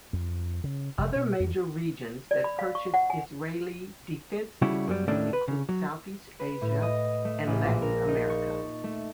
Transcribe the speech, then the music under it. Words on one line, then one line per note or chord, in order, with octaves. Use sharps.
Other major regions that purchase Israeli defense equipment include Southeast Asia and Latin America.
F2
C#3
F1
B2
F2
D5
B5
F5
C#6
F#5
G#5
C#3 G3 E4 F#4
F#2 F#3 G3
D#2 A2 D#3 A3 C#4 D4
B4
C#3
F#3
B4
A2
D#5
A3
A1
A#1
A#4
D#4
C#6
A5
A3